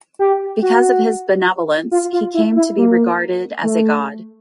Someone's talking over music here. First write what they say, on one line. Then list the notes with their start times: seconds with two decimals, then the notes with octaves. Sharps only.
Because of his benevolence, he came to be regarded as a god.
0.19 G4
0.62 F#4
1.91 F4
2.13 F4
2.34 E4
2.56 E4
2.77 A#3
3.63 A3